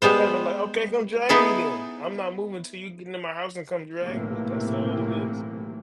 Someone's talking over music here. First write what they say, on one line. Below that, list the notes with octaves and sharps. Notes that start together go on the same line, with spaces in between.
I'd been like, "Okay, come drag me then, I'm not moving 'til you get into my house and come dragging me, that's all it is."
G3 G#3 B3 C5
B3 D#4 E4 G#4 A4
B1 A2 C3 E3 F#3 A#3